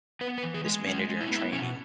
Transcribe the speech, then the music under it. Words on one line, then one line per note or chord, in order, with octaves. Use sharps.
this manager-in-training,
B3 B4
B4
E3
G#4
G#3
G#3 C#4
G#3
E4
C#4
B3 E4
B2 C#4